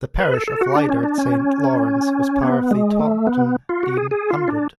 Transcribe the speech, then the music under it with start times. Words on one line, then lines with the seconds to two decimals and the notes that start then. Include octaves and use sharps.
The parish of Lydeard Saint Lawrence was part of the Taunton Deane Hundred.
0.19 B4
0.34 A4
0.48 A4
0.61 F#4
0.75 D4
0.89 C#4
1.03 D4
1.18 C#4
2.43 B3
2.71 G#3
2.99 A3
3.27 B3
3.69 F4
3.83 F#4
3.97 G#4
4.11 G#4
4.30 F4
4.48 D4